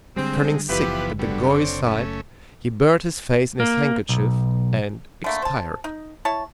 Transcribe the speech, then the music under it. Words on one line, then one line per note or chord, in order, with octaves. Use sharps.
Turning sick at the gory sight, he buried his face in his handkerchief and expired.
D3 G3 G#3 C4
F#1 E3 F3 B3 E4 G4 B4
D3 F#3 G3 B3
C4 C#5 D5
A3 C#4
A#3
B1
D3 A3 A#3
C5 A5
D#4
E4 C#5 A5